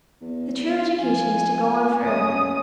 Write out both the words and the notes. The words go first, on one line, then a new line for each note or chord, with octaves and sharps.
The true education is to go on forever.
E2
F3 G#5
F#2 C#4 D#6